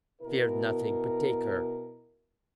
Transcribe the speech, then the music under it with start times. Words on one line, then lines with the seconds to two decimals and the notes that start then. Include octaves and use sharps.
'Fear nothing, but take her.'
0.22 B2 E4 A#4